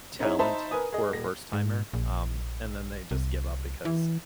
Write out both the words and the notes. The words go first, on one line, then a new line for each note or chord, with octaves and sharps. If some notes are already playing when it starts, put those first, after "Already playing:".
talent for a first timer, um, and then they just give up because,
C4 D#4 E4 G#4 C#5
D#4 C5 E5 A5 B5
A#4 B4 G#5 D#6
G#4 D#5
D#1 A#6
G#2
A#1
C2
E3